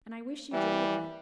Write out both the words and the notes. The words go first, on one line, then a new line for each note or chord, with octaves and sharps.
And I wish you joy of it!
E3 G3